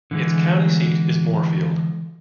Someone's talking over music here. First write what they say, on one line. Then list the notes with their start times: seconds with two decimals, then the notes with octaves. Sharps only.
Its county seat is Moorefield.
0.11 D3 E3 G#3